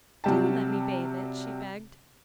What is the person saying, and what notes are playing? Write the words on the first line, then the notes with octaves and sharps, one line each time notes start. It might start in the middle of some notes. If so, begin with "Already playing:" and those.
"Do let me bathe it," she begged.
C3 F#3 G3 G5 A5